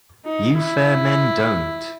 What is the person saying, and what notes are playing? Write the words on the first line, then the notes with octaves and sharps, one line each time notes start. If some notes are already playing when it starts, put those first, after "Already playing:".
You fair men don't.
D#4
E4